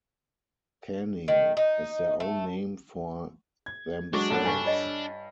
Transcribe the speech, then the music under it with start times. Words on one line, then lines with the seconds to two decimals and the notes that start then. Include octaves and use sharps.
"Caning" is their own name for themselves.
1.28 D#3
1.57 D#4
2.20 A3
3.66 G#6
4.13 F#3 G#3 D4 C#5 D6
4.30 A#1 A2 A4 F#5
4.45 G2 G#5 A5 C#6
4.65 F4 C#5 D#5